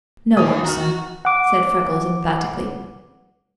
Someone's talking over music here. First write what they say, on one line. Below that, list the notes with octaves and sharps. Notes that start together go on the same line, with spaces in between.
"No one, sir," said Freckles emphatically.
D#2 D#4 G#5 D#6
F#4 A#5 F6
F#5 D6